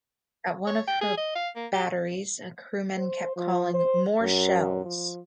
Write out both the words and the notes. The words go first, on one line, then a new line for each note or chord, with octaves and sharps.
At one of her batteries, a crewman kept calling More shells!
C#5
G5
G#4
D#5
F5
A#3
G4
C5
F3
C5
F#2
F3